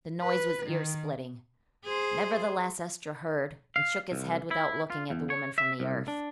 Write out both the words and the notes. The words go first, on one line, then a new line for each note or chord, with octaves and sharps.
The noise was ear-splitting. Nevertheless Estra heard, and shook his head without looking at the woman from the Earth.
B4
D#3
G#4 C5
F5
C2
E4
F4
E2
C#5
E5
C2
D4